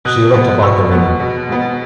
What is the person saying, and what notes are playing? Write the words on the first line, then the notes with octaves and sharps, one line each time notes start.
She looked about the room.
B2 D#6 F#6
G#3 B3
B2 C#6 E6
G#3 B3
B2
G#3 B3